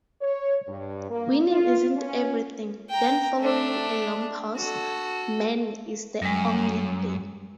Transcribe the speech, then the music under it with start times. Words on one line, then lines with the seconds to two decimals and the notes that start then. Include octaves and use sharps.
Winning isn't everything," then following a long pause, "Men, it's the only thing!
0.22 C#5
0.68 G2
1.10 A#3
1.51 F4
1.96 C#4
2.90 G5 A#5
3.40 A3 D4
4.56 F#4 A4
6.22 F#2 G3 G#3